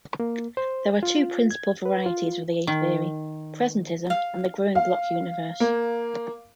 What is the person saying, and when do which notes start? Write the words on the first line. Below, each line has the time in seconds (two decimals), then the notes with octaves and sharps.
There are two principal varieties of the A-theory, presentism and the growing block universe.
0.20 A#3
0.57 C5
1.03 F4
1.51 G#6
1.85 B4
2.06 F4
2.67 D#3
4.10 F5
4.75 F5
5.60 A#3